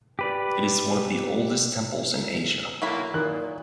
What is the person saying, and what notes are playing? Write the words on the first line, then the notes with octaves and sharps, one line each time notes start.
It is one of the oldest temples in Asia.
G4 B4 D5
B1 D3 F#3 A#3 E4 B5
A#2 D#3 F#6